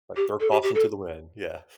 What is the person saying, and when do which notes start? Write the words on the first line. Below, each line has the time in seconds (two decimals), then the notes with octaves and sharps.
Like, throw caution to the wind, yeah.
0.16 G4
0.40 A4
0.50 G4
0.62 G4
0.74 A4